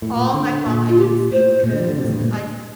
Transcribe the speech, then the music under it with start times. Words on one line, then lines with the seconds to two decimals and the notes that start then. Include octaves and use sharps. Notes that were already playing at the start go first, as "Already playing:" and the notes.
All night long, I couldn't sleep because I c
0.02 A2
0.13 A#2
0.34 D3
0.67 A#2
0.88 F4
0.99 G4
1.31 A2 C5
1.64 A#2
1.72 D3
1.80 F3
1.89 D3
1.97 C3
2.04 A2
2.13 G2
2.20 A#2